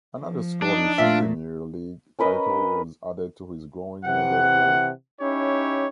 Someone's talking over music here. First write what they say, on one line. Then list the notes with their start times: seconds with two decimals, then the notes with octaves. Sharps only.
Another Scottish Premier League title was added to his growing medal haul.
0.21 F3
0.62 D4 D#4
0.98 A#2 A3 F4 E5
2.19 C#4 A#4 B4 D#5
4.04 C3 E3 F#5
5.20 C#4 D#4 E4 G4 C#5